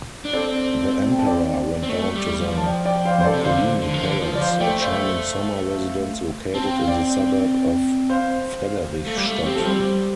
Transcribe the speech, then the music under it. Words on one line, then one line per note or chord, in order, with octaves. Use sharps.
The Emperor went down to the Marcolini Palace, a charming summer residence located in the suburb of Frederichstadt.
D4
C4 A4 D5
G5
A5
D5 G5
C4
A3
G3
F3
A5
D5 G5
D5 G5
G5
C5 F5
C5
A4 D5
C3
D3 C5 F5
D3
F3
D3
F3
D5
C5 F5
A3 D5 G5
C5 F5
C4 A5
G5
F5
D5 G5
C5 F5
A3
G3
A3
C4 G4
F3 A4
G3 G4 C5